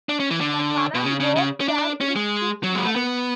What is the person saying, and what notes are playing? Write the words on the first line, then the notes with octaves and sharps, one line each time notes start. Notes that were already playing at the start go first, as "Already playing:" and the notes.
The current board chair is King Harris.
D4
C#4
E3
D3
B2
C#3
C#3
C#3
C#4
D4
C#4
G#3
F#3
G#3
A3
B3